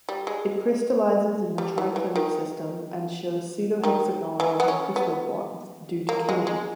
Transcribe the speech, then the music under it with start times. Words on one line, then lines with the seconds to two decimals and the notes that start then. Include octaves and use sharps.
It crystallizes in the triclinic system and shows pseudo-hexagonal crystal forms due to twinning.
0.09 G3
0.27 G#3
1.58 G3
1.78 E3
1.96 E3
2.16 D#3
3.84 D#3
4.40 E3
4.60 B3
4.68 C#4
4.96 B3
6.09 A#3
6.29 G#3
6.47 G#3